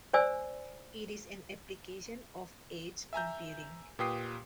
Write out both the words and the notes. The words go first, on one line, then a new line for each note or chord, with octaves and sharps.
It is an application of edge computing.
C5 D5 G#5 E6
E5 G#5 A#5 G6
A#2 G4 B4 G5 D#6 C7